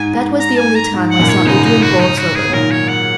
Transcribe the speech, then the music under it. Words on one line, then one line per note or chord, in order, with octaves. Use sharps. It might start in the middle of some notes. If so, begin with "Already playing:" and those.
That was the only time I saw Adrian Borlsover.
Already playing: G#2 G#5
G#2
A#5
G#5
A#5
G#2
F#5
F#2 A#2
C#5
D#3
G#2 C#3 D#4
D#4
F#4
D#4
F#4
G#4
F#3
A#2 D#3 A#4
C#5
F#5